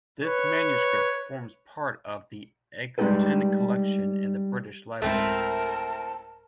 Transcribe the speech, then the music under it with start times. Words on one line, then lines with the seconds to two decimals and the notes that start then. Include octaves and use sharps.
This manuscript forms part of the Egerton Collection in the British Library.
0.24 B4 C#5
2.98 G3 G#3 D#4 G4 A4 B4
5.02 D1 G#3 A3 C4 E4 A#4 A5